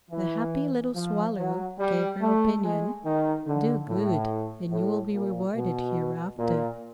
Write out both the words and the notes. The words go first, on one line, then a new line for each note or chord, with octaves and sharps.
The happy little Swallow gave her opinion,--"Do good and you will be rewarded hereafter."
E3
F3
F#3
G3
A3
G#3
D#3
D3
A2
A2
A#2
B2
A#2